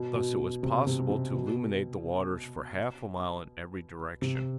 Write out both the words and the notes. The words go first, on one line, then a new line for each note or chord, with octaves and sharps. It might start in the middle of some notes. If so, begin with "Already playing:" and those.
Thus it was possible to illuminate the waters for half a mile in every direction.
Already playing: B2
B2
C3
C3
C3
B2
C3